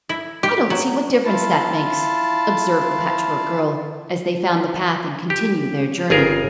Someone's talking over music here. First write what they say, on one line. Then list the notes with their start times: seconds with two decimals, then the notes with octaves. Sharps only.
"I don't see what difference that makes," observed the Patchwork Girl, as they found the path and continued their journey.
0.09 E4
0.43 G4
0.70 F#3
1.25 E4 F4 A5
5.30 G4
6.10 G1 F4 G#4 A#4